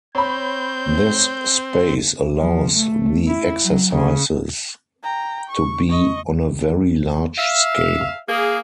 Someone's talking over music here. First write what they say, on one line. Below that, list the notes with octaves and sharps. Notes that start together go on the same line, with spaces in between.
This space allows the exercises to be on a very large scale.
C4 C#5 B5 G6
F3
A3
E4
F#3
C#3
G5 A#5
C#6
D#5 C#6
E5 F5
A#3 G#4